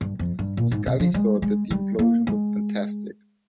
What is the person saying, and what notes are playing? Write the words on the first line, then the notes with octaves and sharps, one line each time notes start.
Scully thought that the implosion looked "fantastic".
G2
F2
G2
A#2
G#2
C3
F3
G#3
G#3
G3
A#3
G#3